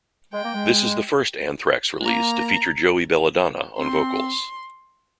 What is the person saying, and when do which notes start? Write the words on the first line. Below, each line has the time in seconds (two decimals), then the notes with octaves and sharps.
This is the first Anthrax release to feature Joey Belladonna on vocals.
0.33 G#3 G5
0.43 A#3
0.54 G#3
2.00 G#3
2.05 A#3 A#5
3.78 C4 C6